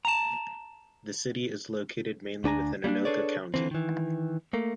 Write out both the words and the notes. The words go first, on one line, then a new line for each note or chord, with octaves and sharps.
The city is located mainly within Anoka County.
A5 A#5
D2 D4 G#5 A#5
G3 A#3 C#4 D4
D4 G#4 A4 B4 C#5 D5
D3 E3 C4
D#3 E3
A3 A#3